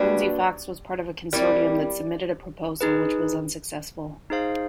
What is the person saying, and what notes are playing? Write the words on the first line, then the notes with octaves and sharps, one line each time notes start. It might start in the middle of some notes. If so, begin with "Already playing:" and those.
Lindsay Fox was part of a consortium that submitted a proposal which was unsuccessful.
Already playing: G3 A#3 D4 F#4 B4
G3 C4 E4 G4 A#4
D#4 G#4 B4
D#4 G#4 C5 F5